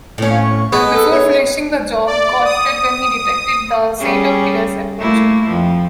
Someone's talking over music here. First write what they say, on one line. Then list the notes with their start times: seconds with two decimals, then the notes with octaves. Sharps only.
Before finishing the job, God fled when He detected the Saint of Killers approaching.
0.18 A2 C#4
0.30 F5
0.42 C#6
0.72 G#3 B3
0.94 A4
1.11 C#5
2.06 D5
2.45 D#6
3.99 G3 C#4 G#4
4.99 A3 A#3 E4
5.48 F2 F3